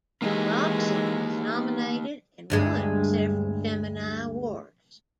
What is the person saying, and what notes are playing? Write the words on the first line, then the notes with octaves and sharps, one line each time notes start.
Robson was nominated and won several Gemini Awards.
E3 G#3 A#3 D#4 G4
D2 G2 G#3